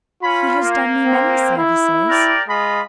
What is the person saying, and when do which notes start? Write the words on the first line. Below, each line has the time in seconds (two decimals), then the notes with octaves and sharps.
"He has done me many services."
0.23 C#4 F4 B5
0.63 A#3
1.06 C4
1.58 E4
2.09 G4 A#4 D5
2.48 G#3 F4 D#5 B5